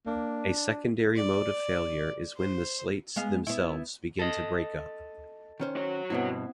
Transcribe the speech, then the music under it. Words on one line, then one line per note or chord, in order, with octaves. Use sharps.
A secondary mode of failure is when the slates themselves begin to break up.
A#3 D4
D5
C5
G#3 B3 F5
B3 E4
A4 D#5
D#3 C#4 C5
F#4 C#5
G2 B2 B3 C4 E4